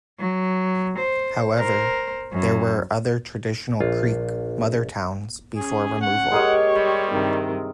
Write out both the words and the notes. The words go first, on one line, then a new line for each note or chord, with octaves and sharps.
However, there were other traditional Creek "mother-towns" before removal.
F#3
C5
A#4 C5
F#2
A#1 F4
C#4 G#4
F#5
G#3 G4 A#4 C#5 D#5
G3
G2 C3 D#3